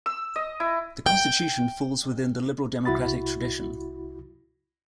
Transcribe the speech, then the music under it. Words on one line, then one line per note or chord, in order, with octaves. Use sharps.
The constitution falls within the liberal democratic tradition.
E6
D#5
E4
G5
C2 E4 F#4 B5 A6